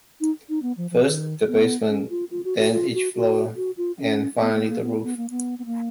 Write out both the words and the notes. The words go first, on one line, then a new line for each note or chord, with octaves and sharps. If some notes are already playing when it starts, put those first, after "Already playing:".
First the basement, then each floor, and finally the roof.
D#4
D#4
B3
F3
F3
D#3
B3
C#4
F4
F4
F#4
F#4
F4
F#4
F#4
F#4
F4
C#4
B3
A#3
A#3
B3
B3
A#3
B3
B3
A#3